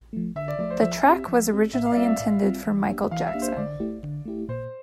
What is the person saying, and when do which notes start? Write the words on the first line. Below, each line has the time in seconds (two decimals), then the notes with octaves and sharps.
The track was originally intended for Michael Jackson.
0.13 F3 A3
0.36 D3 E5
0.48 D5
0.59 F3 A3 D5
0.70 C5
0.82 F3 E5
1.05 C4 G4
1.28 F3
1.51 C4 G4
1.73 A2 E5
1.86 F5
1.92 D5
1.97 G3 C4 F4 E5
2.08 E5
2.20 A2
2.43 G3 C4 F4
2.65 E3
2.88 A#3 D4 G4
3.11 E3 F5
3.27 E5
3.34 A#3 D4 G4
3.42 C5
3.57 D3 D5
3.80 A3 E4 G4
4.03 D3
4.25 A3 E4 G4
4.49 A#2 C5